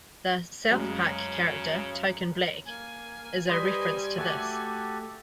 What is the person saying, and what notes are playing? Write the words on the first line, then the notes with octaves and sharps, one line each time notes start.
The "South Park" character Token Black is a reference to this.
F#2 C#3 G#3 C#4
A#3 G#5
G3 B4 C5 D#5
A3 F#4 G4 A4 D6 E6